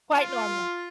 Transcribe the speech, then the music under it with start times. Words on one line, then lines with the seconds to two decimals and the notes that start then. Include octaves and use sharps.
Quite normal.
0.13 F4